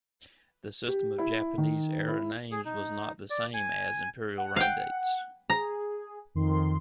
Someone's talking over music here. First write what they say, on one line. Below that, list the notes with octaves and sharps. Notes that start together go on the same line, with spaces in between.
The system of Japanese era names was not the same as Imperial reign dates.
G4
E4
D#3
E4
G#4
D#4
D5
G#5
F#5
F5 G5
G#4 A#5
F2 D#3 C6